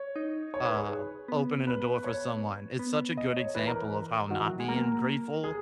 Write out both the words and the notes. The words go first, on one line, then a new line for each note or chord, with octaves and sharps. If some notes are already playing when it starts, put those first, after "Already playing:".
um, opening a door for someone, it's such a good example of how not being grateful
Already playing: C#5
D#4
C#5
B4
G#4
B3
B4
C#5
B3
D#5
C#5
E3 B4
A#4
A#4
D#3 F#4
E3
F#3
G#3
A#3 A#4
G#3 G#4